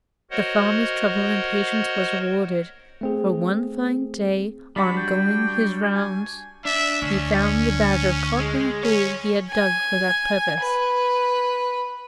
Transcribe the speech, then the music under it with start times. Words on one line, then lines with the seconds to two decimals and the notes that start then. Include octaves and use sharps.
The farmer's trouble and patience was rewarded, for one fine day on going his rounds he found the badger caught in a hole he had dug for that purpose.
0.31 F#4 A#4 C5 C#5 D#5 F#5
3.01 A3 C4 G#4
4.76 G3 D4 F#4 B5
4.97 G5
5.95 G#5
6.65 D4 E5
7.02 D2 C#4
8.39 G#3
8.83 C#4 C#5
9.50 G#5
10.61 B4